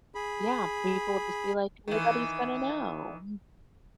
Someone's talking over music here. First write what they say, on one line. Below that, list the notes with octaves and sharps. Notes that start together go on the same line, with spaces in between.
Yeah, people just be, like, nobody's gonna know, mm.
G#4 B5
D#3 E3